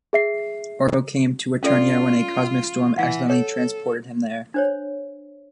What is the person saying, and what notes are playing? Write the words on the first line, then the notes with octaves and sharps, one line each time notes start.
Orko came to Eternia when a "cosmic storm" accidentally transported him there.
G#4 E5 C7
C#4 F4 A4 D5
E3 F#5
A4 C#5
D4 C5 C#5